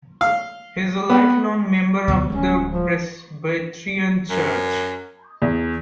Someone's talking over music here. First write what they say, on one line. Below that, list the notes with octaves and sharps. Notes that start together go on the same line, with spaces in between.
He is a lifelong member of the Presbyterian Church.
F5
B3
D2 B2 F#3
D1 G3 G#3 C#4
F3
F#2
E2